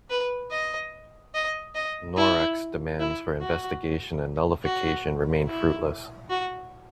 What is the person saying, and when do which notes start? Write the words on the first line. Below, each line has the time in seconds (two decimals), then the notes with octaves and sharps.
Norex' demands for investigation and nullification remained fruitless.
0.10 B4
0.51 D#5
1.35 D#5
1.75 D#5
2.17 E4
2.99 E4
3.41 F#4
4.64 F#4
5.47 E4
6.30 F#4